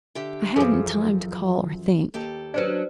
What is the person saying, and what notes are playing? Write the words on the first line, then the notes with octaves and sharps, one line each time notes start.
I hadn't time to call or think.
D3 G4 E5
F#2 E3 F3 F4 G#4 A4
D#2 G4 A4
F#3 C#4 D4 B4 C5 D5